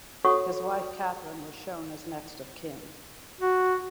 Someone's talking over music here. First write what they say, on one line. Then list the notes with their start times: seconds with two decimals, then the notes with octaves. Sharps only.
His wife Catherine was shown as "next of kin".
0.25 F#4 A4 C#5 F#5 C#6 D#6
3.41 F#4